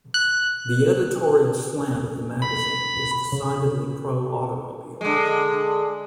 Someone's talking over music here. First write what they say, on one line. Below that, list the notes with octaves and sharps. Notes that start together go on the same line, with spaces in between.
The editorial slant of the magazine is decidedly pro-automobile.
F#6
B5
C#3
D3 G#3